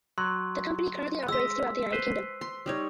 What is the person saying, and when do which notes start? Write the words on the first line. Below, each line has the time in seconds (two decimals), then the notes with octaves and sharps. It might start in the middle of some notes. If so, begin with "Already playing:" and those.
The company currently operates throughout the United Kingdom.
0.18 F#3 C6
1.28 G#3 D#5 E6 B6
1.92 B4 C5
2.41 C6
2.66 G3 D#4 C#5